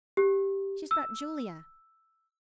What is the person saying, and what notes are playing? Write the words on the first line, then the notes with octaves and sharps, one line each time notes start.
She's brought Julia!
G4
E6